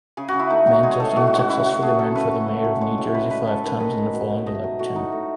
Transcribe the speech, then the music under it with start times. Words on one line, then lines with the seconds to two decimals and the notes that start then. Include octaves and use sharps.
Manzo unsuccessfully ran for mayor of Jersey City five times in the following elections.
0.17 C#3 G#4
0.28 F#4
0.34 C#3
0.39 E4
0.50 A3 D#4
0.67 F#3 F#4
0.83 G#3 G#4
0.92 C#5
1.00 A2 A4
1.08 G#4
1.16 A2 F#4
1.27 F#4
1.33 G#3
1.39 F#4
1.49 C#3 E4
1.66 C#3 F#4
1.82 A3 G#4
1.99 F#3 A4
2.15 C#3 B4
2.32 C#3
2.48 A3
2.64 F#3
2.81 G#3 C#5
2.98 A2
3.14 A2 B4
3.31 G#3 B4
3.47 G#3 A4
3.64 D#3 B4
3.80 D#3 D#5
3.96 G#3
4.13 B2
4.30 B2
4.46 A3 D#5
4.63 F#3
4.79 A2 F#4
4.96 A2 D#4
5.12 A3